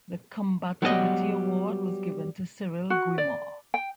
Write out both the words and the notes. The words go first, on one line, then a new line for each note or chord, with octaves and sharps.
The combativity award was given to Cyrille Guimard.
F#3 G3 B3 F#4 G4 D#5
F#4
D5
G5